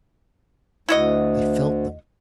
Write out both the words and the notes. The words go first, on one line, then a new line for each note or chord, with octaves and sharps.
I felt them.'
D2 E4 F#4 D#5